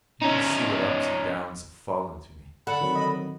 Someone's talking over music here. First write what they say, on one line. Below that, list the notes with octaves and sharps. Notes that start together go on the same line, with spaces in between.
You can see what ups and downs have fallen to me.
C#4 D#4
D3 A4 F#5 B5
D#3 F#3 C4
D#5